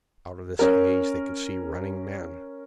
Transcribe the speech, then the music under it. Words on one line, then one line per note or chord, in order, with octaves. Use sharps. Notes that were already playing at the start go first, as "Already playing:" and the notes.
Out of this haze they could see running men.
C#4 A#4